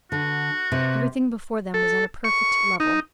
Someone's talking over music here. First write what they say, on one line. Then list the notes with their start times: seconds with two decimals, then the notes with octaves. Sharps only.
Everything before them was on a perfect level.
0.12 D3 F#4
0.72 C3
1.74 A4
2.24 C#6
2.80 D#4